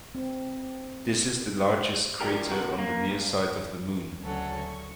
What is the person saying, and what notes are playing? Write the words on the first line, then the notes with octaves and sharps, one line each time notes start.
This is the largest crater on the near side of the Moon.
C4
E3 F3 A#3 D4 G4 A#4
C3 F#4
A#3
G2
D2 C#3 F#3 C#4 A4 F#5
C#6